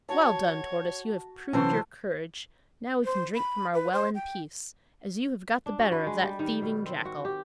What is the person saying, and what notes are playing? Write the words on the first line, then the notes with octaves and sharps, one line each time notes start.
'Well done, tortoise, you have proved your courage; now we can drink from our well in peace, as you have got the better of that thieving jackal!'
F#4 C#5 A5
C3 E3 F#3 C#4 A4 C5 C#6
C5
B5
B4
C5
G5
D4
F#4
B4
G#3
G3
D#3
B2
C4
F#4
G4